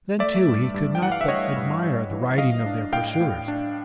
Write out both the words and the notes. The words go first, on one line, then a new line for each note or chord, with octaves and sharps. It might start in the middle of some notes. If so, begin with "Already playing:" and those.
Then, too, he could not but admire the riding of their pursuers.
A3 D5 E5
G2
G2
G5
E3 F#5
F5
E5
A3 C#5 D#5
G2
G2
E3
F#3 D#5 F5
D4
A2 F5 G5
A2
D4